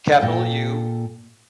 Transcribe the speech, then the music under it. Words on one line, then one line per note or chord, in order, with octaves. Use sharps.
capital U,
A#2 A4 G5